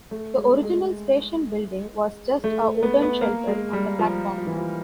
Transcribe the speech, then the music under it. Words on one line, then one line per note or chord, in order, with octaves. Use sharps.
The original station building was just a wooden shelter on the platform.
A3
G#3
G#3
A3
B3
B3
A#3
G#3
G3
F3
F3
E3
F3